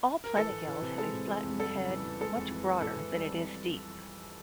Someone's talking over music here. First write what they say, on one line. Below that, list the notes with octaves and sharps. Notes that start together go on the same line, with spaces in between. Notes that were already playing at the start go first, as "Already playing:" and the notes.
All planigales have a flattened head, much broader than it is deep.
A#4
E3 A4
E3
E3
C3
G#3 A4
C3
G#3
F2
G3 A4
C#3
E3
E3
G#3 A4
F2
E3
G#3
E3 A4
E3
G3
F2